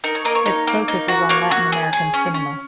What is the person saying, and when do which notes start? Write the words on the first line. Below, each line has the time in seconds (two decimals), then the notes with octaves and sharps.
Its focus is on Latin American cinema.
0.04 D#4 A#4
0.15 C#5
0.25 A#3 A#4 D#5
0.35 C#5
0.46 D#4
0.67 A#3
0.88 D#4
1.08 F#4
1.29 A#3 C#5
1.51 F#4
1.72 G#4
1.93 G#4
2.14 C#4
2.34 C#4